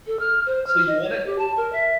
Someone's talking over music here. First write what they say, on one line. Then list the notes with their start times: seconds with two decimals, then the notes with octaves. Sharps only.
So, you want it
0.07 A4
0.20 F6
0.46 C5
0.67 F6
0.87 D#5
1.04 C#5
1.26 G4
1.38 A5
1.57 A#4
1.73 E5